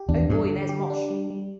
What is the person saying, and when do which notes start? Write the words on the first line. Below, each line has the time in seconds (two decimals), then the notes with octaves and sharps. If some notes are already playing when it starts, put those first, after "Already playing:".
Oh boy, there's 'Mosh'.
Already playing: G4
0.09 E2 D4
0.29 G2 G3
0.49 D3
0.69 G4
0.90 D4
1.10 G3
1.30 G3